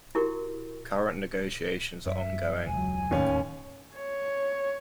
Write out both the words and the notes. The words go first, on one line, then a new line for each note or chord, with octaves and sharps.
Current negotiations are ongoing.
E4 F#4 G4 A#4 C#6
F#2 E5
E1 C#2 F#3 G#5
A1 D#2 C#4
C#5